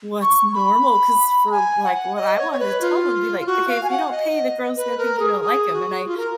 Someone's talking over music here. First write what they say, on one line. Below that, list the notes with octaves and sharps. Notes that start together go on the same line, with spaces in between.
what's normal 'cause for, like what I wanted to tell 'em be, like, "Okay, if you don't pay the girls gonna think you don't like 'em." And I
C#6
C#6
B5
A#5
G#5
F#5
D#5
C#5
C#5
B4
F4
F4
F#4
F5
G#5
F#5
D#5
B4
A#4
G#4
G#4
F#4
F4
A#4